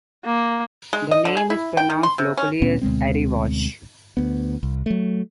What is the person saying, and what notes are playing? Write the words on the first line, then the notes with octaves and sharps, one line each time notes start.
The name is pronounced locally as 'Erry-wash'.
A#3
G#3
D#5
D3
G#4
E4
G5
D#3
C6
C3
C#4
D2 A#2 B3 C#4
D2 B2 G#3 C4
D2 B3
C2
F#3 A3